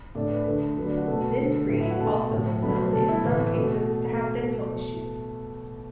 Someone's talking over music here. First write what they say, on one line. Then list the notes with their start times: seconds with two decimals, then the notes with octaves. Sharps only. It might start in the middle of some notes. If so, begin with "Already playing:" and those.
This breed also is known in some cases to have dental issues.
0.15 A2 A3 D4 D5
0.30 B4
0.46 D3 A3 A4
0.77 D3 F#3 A3 B4
0.87 D4 D5
0.97 F#4 F#5
1.08 B2 A3 A4 A5
1.23 B4
1.38 D3 A3 B4
1.46 A4
1.61 A4
1.69 A2 A3 B4
1.80 E4 E5
1.91 F#4 F#5
2.00 B2 A3 A4 A5
2.31 A2 A3
2.62 B2 F#3 A3 B4 B5
2.93 B2 A3 A4 A5
3.09 E4 E5
3.24 A2 E3 A3 B4
3.55 B2 A3 A4